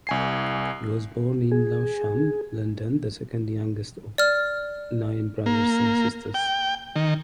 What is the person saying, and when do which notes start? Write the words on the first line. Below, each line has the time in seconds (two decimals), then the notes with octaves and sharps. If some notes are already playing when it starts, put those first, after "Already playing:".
He was born in Lewisham, London, the second youngest of nine brothers and sisters.
0.07 C2 G#5 C7
1.52 G#4
4.18 D5 F6
5.46 A#3
6.34 G5
6.96 D#3